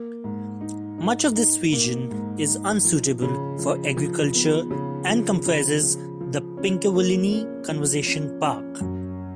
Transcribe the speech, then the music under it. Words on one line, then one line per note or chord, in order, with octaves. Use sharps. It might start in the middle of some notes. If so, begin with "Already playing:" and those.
Much of this region is unsuitable for agriculture and comprises the Pinkawillinie Conservation Park.
Already playing: A#3
G#2
D#4
D#4
D#4
A#3
G#2
D#4
F3
C#3
F3
F3
B3
C#3
F3
C#3
F3
F3
C#4
A#3
C#4
F3
C#4
C#4
F#2